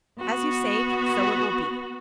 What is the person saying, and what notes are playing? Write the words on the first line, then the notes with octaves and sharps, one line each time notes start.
As you say, so it will be.
B3 F#4